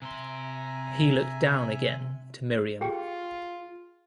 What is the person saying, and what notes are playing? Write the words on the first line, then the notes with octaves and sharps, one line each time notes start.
He looked down again to Miriam.
C3 E5 G#5 A#5 C6
F4 G4 G#4 G5